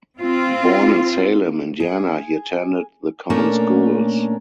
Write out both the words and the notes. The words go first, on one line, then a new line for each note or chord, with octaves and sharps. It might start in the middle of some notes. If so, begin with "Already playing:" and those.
Born in Salem, Indiana, he attended the common schools.
C4 F4
G#4
A#2 A3 A#3 C#4 D4 A#4